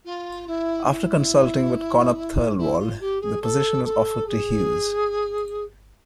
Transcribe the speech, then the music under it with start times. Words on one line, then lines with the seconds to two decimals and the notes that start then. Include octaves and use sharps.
After consulting with Connop Thirlwall, the position was offered to Hughes.
0.05 F4
0.47 E4
0.85 D#4
0.90 E4
2.58 E4
2.79 F4
3.00 G4
3.21 G#4
3.42 A4
3.84 A4
4.27 G#4